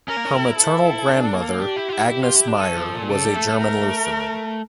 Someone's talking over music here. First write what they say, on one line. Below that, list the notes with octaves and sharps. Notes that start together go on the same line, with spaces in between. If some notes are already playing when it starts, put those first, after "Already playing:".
Her maternal grandmother, Agnes Meyer, was a German Lutheran.
C#4 A#4
A#3
C#4
E4
A4
D4
A#3
D4 G4
E4
F4
E4
E4 G4
F4
E4
D4
C#4 A4
F3
A#2
C#3 A4
G3
A3
A3
A#4